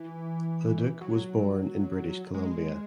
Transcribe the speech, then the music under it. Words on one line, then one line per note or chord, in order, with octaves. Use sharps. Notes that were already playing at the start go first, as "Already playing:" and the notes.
Leduc was born in British Columbia.
Already playing: E3
F#3
G#3